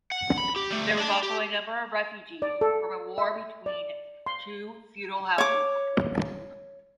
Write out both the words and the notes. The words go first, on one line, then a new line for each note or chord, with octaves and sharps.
There were also a number of refugees from a war between two feudal houses.
F#5
B5
G4
G3 A3
D5 A5
G4
D5
A4
E5
D5
C6
C#5 D6